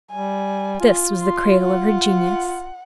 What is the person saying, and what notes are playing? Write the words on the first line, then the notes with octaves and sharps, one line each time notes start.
This was the cradle of her genius.
G3 G#5
F4
C6
F#5